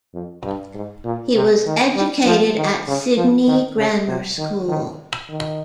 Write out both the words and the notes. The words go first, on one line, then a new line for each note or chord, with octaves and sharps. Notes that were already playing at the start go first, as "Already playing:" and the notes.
He was educated at Sydney Grammar School.
F2
G2
G#2
A#2
C3
D#3
G3
F3
D#3
C#3
F3
D#3
C#3
C3
D#3
D#3
D#3